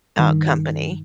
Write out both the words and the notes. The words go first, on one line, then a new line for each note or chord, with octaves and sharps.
uh, company,
G2 D#3